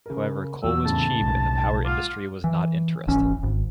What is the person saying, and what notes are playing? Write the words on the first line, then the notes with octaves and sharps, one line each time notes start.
However coal was cheap and the power industry was not interested.
C#3 A#4
E2 F#3 E6
F1 A2 C#3 A5
B1 G#3
F4 F#5 D6
E3
D#1 G#1 E3 C#4
G#1